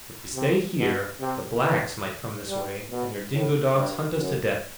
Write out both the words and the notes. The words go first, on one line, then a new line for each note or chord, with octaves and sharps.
If we stay here, the Blacks might come this way and their dingo dogs hunt us to death.
C3
B2
C3
E3
G3
B2
A2
G2
F#2